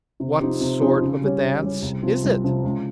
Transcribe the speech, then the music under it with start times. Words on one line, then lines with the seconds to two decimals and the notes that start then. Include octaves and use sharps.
'What sort of a dance is it?'
0.20 C3
0.41 F3 C4 D#4 G4
0.61 C3
0.81 F3 C4 D#4 G4
1.01 C#3
1.22 G3 C#4 G4
1.41 C#3
1.62 G3 C#4 G4
1.82 C2
2.02 C3 F3 C4
2.24 C2
2.43 C3 F3 C4
2.63 C#2